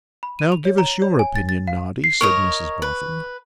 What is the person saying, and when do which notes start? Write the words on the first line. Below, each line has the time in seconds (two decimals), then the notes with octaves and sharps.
'Now, give us your opinion, Noddy,' said Mrs Boffin.
0.23 B5
0.39 D#7
0.52 F7
0.65 C#5
0.78 A#5
1.02 C#5
1.19 G#5
1.36 A6
1.49 A6
1.67 F5
2.04 C7
2.21 A#4 C#5 D#5 C#6
2.82 B4